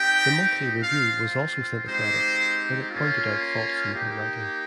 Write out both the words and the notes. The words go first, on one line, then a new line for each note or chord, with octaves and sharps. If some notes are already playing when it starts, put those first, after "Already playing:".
The "Monthly Review" was also sympathetic, but it pointed out faults in her writing.
Already playing: C4 D#4 G4 G5
C4 F4 F5
G#3 C4 D#4 G4 C5
A#3 C#4 F4
A#3 D#4 G4